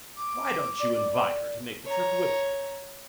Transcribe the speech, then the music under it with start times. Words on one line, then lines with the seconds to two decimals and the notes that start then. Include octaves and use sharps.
Why don't you invite her to make the trip with you?
0.17 D6
0.79 D5
1.85 C#5 A#5